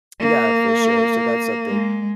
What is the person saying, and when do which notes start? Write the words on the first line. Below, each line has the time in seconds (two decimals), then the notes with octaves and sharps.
yeah, for sure, so that's something
0.20 A#3
1.67 G#3